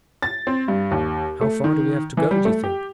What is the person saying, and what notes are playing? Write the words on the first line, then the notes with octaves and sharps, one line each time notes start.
"How far do we have to go do you think?"
A6
C4
G2
D#2
A3
D#3
E3
G3
A3
G4